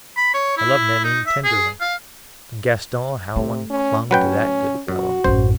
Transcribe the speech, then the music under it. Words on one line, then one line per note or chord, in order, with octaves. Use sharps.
I loved Nanine tenderly; and Gaston, how one clung to that good fellow!
B5
C#5
E4
D#4
E5
G#4
F5
C3 A3
C#4
F#3 C#4 B4 G5
F#2 F#4
A1 F#2 C5